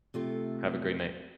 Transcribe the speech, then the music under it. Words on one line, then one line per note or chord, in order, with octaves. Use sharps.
Have a great night.
C3 A3 F4